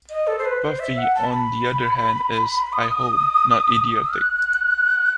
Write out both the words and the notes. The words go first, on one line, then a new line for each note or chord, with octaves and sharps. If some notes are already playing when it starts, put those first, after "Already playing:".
Buffy, on the other hand is, I hope, not idiotic.
D#5
A4
C5
B4
C5
E5
F#5
A5
B5
D#6
F#6